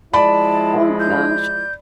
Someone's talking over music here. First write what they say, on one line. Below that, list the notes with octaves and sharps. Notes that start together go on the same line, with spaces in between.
Oh gosh.
F3 G#3 E4 D5 A5 B5
G6